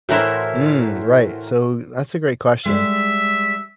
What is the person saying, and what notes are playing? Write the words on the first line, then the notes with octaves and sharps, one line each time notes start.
Mm, right, so that's a great question,
A2 E3 E4 F#4 A#4 C5
G3 G#3 E5